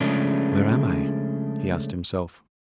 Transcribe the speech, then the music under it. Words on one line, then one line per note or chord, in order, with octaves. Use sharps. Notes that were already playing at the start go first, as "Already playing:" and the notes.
"Where am I?" he asked himself.
C#3 F3 G#3 A3 C#4 D4